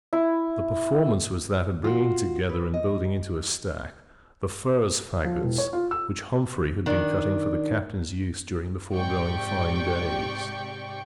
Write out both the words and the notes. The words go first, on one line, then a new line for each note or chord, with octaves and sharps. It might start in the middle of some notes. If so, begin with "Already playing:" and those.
The performance was that of bringing together and building into a stack the furze faggots which Humphrey had been cutting for the captain's use during the foregoing fine days.
E4
F4 F#4
B4
D#5
F3
E1
C#5
F4
E6
D#3 D4
G#2 C3 G4 D5 G5 C#6